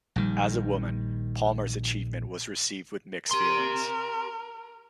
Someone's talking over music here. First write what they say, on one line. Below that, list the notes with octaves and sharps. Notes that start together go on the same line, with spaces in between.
As a woman, Palmer's achievement was received with mixed feelings.
A#1 D#3 G3
G4 A#4 C6